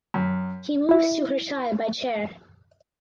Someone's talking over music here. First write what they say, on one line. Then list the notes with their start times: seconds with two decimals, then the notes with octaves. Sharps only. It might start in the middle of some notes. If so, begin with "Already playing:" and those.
He moves to her chai by chair.
0.14 F#2
0.89 E4 E5